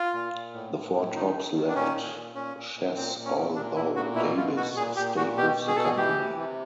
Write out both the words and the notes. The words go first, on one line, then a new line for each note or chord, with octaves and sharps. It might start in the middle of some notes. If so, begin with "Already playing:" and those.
The Four Tops left Chess although Davis stayed with the company.
Already playing: F4
A#2
A#2
A2
A2
A2
D#3 D#4
D#3
D#3
D4
A#2 C#4
A#2
A#2
A#2 C#4
A#2
A#2
A#2 C4
A#2
C#4
A#2
A#2 D4
A#2 E4
A#2 F#4
B2 E4
B2 F4
B2 F#4
A#2 G#4
A#2 G4
A#2 F#4
B2 G4
B2
G#4
B2 A4
G#4
E3 G4
C3
C3